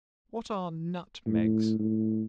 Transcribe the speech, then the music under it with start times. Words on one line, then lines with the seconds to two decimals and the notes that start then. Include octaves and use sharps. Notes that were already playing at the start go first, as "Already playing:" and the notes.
What are Nutmegs?
1.26 A2
1.79 A2